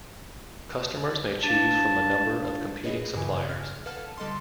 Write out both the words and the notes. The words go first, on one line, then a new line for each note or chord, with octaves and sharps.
Customers may choose from a number of competing suppliers.
D4 B4 F5 A5
F#4 G#4 B4 C#5 D#5 B5
G2 C#3 E3 G#5 D6
E2 F6 G#6
A4 B4 F5 F#5 A5 F6
D3 G3 A4 D#5 A5 C6